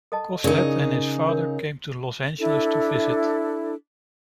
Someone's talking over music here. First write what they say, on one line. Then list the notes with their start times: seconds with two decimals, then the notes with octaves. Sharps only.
Coslet and his father came to Los Angeles to visit.
0.12 A4 D#5 A5
0.44 C#3 D4 D#4 A#4 D5
1.27 A#4 C#5
2.39 D4 E4 A4